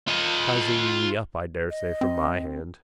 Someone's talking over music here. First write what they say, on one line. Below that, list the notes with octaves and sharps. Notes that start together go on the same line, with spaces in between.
Sizing me up I daresay from my hand.
F4 D#5
D#5
C4